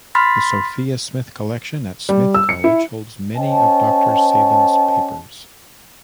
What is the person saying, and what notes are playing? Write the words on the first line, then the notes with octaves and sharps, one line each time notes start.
The Sophia Smith Collection at Smith College holds many of Doctor Sabin's papers.
B5 C6 F6 A6 B6
G3
E6
C#7
E4
C#4 C5 D#5 G5 A5